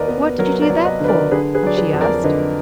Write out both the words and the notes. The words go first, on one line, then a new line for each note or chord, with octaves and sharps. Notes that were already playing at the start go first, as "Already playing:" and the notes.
"What did you do that for?" she asked.
Already playing: D#2 A#4 B4 D5 D#5
B3
F#3 A#4
A#4 D5
F#3
B4 D#5
D3 B4
A#4 D5
D3 G#4 B4
G#4 B4
F#3 D5
G#4 B4
F2
A#4 D5
D3 B4 D#5